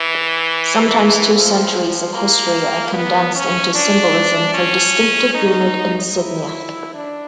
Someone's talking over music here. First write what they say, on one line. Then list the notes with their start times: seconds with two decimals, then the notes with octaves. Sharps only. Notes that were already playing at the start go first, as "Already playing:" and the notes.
Sometimes two centuries of history are condensed into symbolism for distinctive unit insignia.
Already playing: E3
1.35 F3
2.14 A#3
2.94 B3
3.35 C#4
3.75 D4
4.54 C#4
5.34 D#4
6.15 E4
6.94 D4